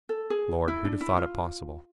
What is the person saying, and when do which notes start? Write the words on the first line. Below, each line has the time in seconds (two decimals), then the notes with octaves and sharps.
"Lord--who'd have thought it possible!"
0.09 A4
0.30 G#4
0.68 E4
0.85 D4
1.01 E4
1.17 F4